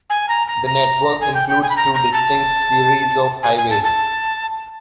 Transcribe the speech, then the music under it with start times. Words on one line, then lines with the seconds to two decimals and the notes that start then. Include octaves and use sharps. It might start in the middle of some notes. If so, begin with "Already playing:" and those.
The network includes two distinct series of highways.
0.10 G#5
0.29 A#5
0.48 A#5
0.66 A#5
1.21 G#5
1.35 G5
1.49 G5
1.62 G#5
1.70 B5
1.77 A#5
1.95 A#5
2.13 A5
3.43 G#5
3.57 G#5
3.70 A5
3.84 A5